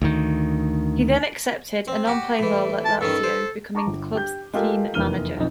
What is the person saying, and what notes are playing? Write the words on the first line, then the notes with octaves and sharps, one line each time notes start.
He then accepted a non-playing role at Lazio, becoming the club's team manager.
D2 D#3
C4
F#4 G4
A2 E3
A5
G2 D#3 C#4 A4
C5
A5 A#5 C#6 D6
G1
G4 G6
G#3 A3 F4 G4 A4 A#4
F1 E2 A#3 F6 D#7 G7
B1 F2 D#4